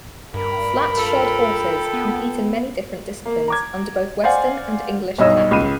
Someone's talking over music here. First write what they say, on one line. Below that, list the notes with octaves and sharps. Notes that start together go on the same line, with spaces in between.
Flat-shod horses compete in many different disciplines under both western and English tack.
G2 A#4 B5
F4 A4 G5
B3
A#3
A#5 D6 G#6
C5 D5 F5 F#5 G#5
B1 G2 D#4 C#5 D#5 E6
C#2 B5 D#7